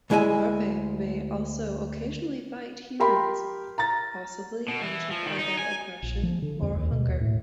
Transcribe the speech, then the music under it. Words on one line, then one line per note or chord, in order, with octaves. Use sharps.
The larvae may also occasionally bite humans, possibly out of either aggression or hunger.
D2 G#3 E4 D#5 G#5
G4 A#4 B5 C6
A#5 A6
B2
E3
F3
D#3
D#4
G#5
A#1
F3
D3
F2
D#2
B2
D#2
A2